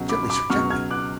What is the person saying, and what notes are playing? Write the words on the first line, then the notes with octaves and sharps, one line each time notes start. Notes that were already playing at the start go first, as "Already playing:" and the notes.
Gently, sir, gently!
Already playing: C#2 B2 F#3
B5 D6
B5 D6
C#2 B2 F#3 C#6 F6
F6 G#6
D6 F#6